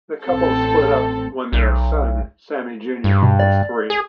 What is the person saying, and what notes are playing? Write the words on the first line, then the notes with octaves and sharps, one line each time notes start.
The couple split up when their son Sammy Junior was three.
A1 C4 A4
B1
G2
B2
D5
G#4